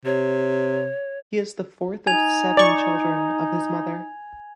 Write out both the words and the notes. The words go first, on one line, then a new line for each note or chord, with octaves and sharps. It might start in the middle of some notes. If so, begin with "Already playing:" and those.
He is the fourth of seven children of his mother.
C3 C#5
D#4 G#5 G#6 F7
D5 C#6